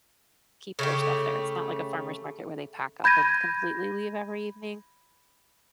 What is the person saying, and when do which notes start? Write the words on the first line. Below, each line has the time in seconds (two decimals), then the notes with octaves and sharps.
keep their stuff there. It's not like a farmer's market where they pack up and completely leave every evening,
0.79 C#3 A3 G4
3.04 B5 G6 G#6 A#6 D#7